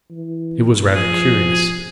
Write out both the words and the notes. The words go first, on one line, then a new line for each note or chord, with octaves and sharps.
It was rather curious.
E3
F3 G#4